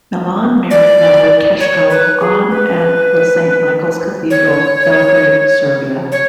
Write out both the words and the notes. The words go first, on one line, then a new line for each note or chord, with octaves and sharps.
Milan married Natalie Keschko on at the Saint Michael's Cathedral, Belgrade, Serbia.
D5
C#5
B4
G#4
B4
C#5
C#5